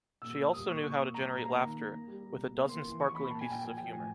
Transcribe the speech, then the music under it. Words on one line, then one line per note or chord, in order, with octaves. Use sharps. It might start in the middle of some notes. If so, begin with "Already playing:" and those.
She also knew how to generate laughter, with a dozen sparkling pieces of humor.
A#2 E6
A#3
G3 D#6
A#2 C#6
A#2 C#6
A#3
G3 A#5
A#2
A#3 A#5
D#3
A#3
A#3
G3
G3
B2
A#3
A#3 C6
E3
E3 C#6
A#3 B5
A#2 A5
G#5
A#2
G5
F3 G#5
F3 G5
A2 G#5